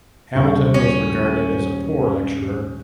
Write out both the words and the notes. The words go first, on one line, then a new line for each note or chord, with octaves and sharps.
Hamilton was regarded as a poor lecturer.
D#1 C#3 C#6
C#4